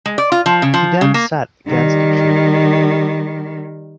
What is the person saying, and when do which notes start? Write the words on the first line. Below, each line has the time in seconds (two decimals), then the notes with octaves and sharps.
He then sat against a tree.
0.06 G#3
0.18 D5
0.32 F4
0.46 F3
0.62 C#3
0.74 F3
1.01 C#3
1.14 A#3
1.67 D#3 G3